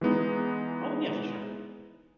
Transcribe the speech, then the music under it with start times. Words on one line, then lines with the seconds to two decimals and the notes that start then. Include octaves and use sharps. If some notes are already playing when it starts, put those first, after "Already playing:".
Oh, yeah, for sure.
0.01 E3 G#3 B3 D#4